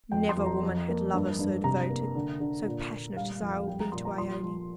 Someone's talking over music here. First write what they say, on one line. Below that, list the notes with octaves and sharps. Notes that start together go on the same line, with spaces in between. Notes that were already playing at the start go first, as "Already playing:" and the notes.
Never woman had lover so devoted--so passionate as I will be to Ione.
F2 G5
C6
F2
A#5
F2
A#3
G2
G2
C3 A#5
A#3
D3
D3
A#2
A#2
G3 F5
F2
G3 G5
A#5
A#2 C6
A#5
F3 C6
F3